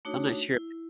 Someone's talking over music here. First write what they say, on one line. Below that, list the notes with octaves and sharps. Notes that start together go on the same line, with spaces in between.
so I'm not sure
A3 D4 D#4 F#4 C#5
E4